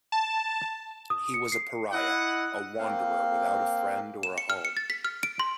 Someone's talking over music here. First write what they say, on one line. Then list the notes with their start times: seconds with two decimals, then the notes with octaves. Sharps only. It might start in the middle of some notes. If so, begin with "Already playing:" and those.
He was a pariah; a wanderer without a friend or a home.
0.12 A5
1.10 D#6
1.34 C#7
1.52 C7
1.92 E4 D#5 F#5
2.79 A#3 C4 F5
4.23 E7
4.38 C#7
4.50 F6
4.65 C#7
4.77 A6
4.90 B6
5.05 F6
5.23 D7
5.40 C6